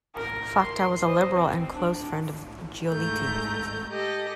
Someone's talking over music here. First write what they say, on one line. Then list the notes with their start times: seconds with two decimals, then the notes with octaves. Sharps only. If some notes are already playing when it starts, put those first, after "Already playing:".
Facta was a Liberal and close friend of Giolitti.
0.15 A#4
0.59 C6
1.06 C5 D#5
1.36 C4
1.73 D4
2.89 G#2 A3 A#5 G6
3.91 G4 A4 D#5